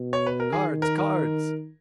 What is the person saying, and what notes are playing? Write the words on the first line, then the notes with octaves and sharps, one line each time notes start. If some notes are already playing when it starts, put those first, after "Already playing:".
Cards! cards!
Already playing: B2
C#5
B4
A#4
D#3 G#4
A#4
A#4